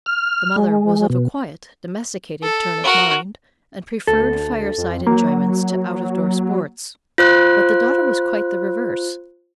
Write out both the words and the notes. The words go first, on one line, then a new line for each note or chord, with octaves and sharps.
The mother was of a quiet, domesticated turn of mind, and preferred fire-side enjoyments to out-of-door sports; but the daughter was quite the reverse.
F6
G#3
B2
A4
F#4 A#4
D2 A4
F2
F#3 A#3
F4 C5 F#6